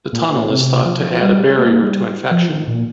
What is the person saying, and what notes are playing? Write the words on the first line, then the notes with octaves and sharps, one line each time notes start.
The tunnel is thought to add a barrier to infection.
A#2
C3
F3
G3
A#3
G3
F3
D#3
A#2